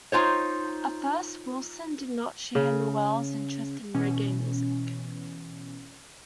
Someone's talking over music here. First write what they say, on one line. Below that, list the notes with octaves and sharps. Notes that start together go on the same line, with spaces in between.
At first, Wilson did not share Nowell's interest in reggae music.
D#4 F4 C5 C#5
C#3
B2 E3 C#4